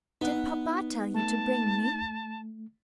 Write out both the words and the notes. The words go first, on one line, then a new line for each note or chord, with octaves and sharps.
"Did papa tell you to bring me?"
B3 D#4 F#6
A3 A5